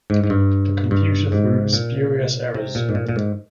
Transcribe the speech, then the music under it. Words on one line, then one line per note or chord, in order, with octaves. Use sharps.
The computer threw spurious errors.
G#2
G#2
G2
G2
G#2
A#2
C3
A#2
G#2
A#2
A#2
G#2